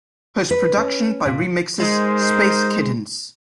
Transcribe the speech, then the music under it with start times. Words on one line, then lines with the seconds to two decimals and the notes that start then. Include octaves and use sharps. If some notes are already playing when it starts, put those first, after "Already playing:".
Post production by re-mixers 'Space Kittens'.
0.51 B4
0.77 C#4
1.26 A#2
1.80 G#3 D#4 A#4 C5